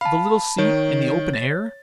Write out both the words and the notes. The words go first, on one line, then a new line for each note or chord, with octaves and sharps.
The little seat in the open air?
F5 A5 B5
D#3 C#5
A6